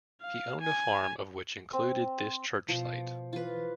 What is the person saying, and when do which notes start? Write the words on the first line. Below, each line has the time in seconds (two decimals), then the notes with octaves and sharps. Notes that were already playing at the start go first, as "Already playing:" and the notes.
He owned a farm of which included this church site.
0.22 F5
0.62 G#5
1.73 C4
2.69 B2 F3
3.33 E3 F4 B4